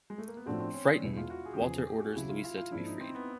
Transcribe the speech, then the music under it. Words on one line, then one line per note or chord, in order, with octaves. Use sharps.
Frightened, Walter orders Luisa to be freed.
G#3
A3
A#3
B3
A2 F3 A3 C4 D4 F#4
C4
C#4
D4
E2 B2 G#3 E4
E4
F4
F#4
G#4
G4
E2 C#3 F3 G#4
G4
F#4
C#2 C#3 F#3 E4
F4
F4
F4
G#2 F3 A#3 D4 E4
D#4
C4
B3